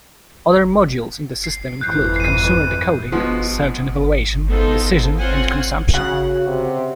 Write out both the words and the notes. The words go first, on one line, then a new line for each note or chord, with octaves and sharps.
Other modules in the system include, consumer decoding, search and evaluation, decision, and consumption.
C7
F2 G#2 E3 F#6 G6 C7
C7 D#7
B2 F3 G#3 B3
G#3 B3 D#4 F4 A4 C5
C4 F4 C5 C#5 F#5 G#5
C#3 F#4 F#5
C3